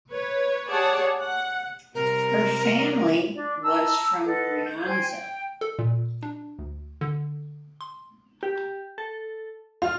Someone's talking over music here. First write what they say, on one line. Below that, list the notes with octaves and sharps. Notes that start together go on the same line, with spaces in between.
Her family was from Brianza.
B4 C#5
G4 G#4 C#5 D5 F#5 A5
F#5
C3 G3 A#4
D4 D5
A5 A#5 E6
A4 B4 D#5 F#5
G6
C5 G5 G#5 G#6
G5
A4
A#2
D4
D2
D3
C6
G4
A4
F4 F6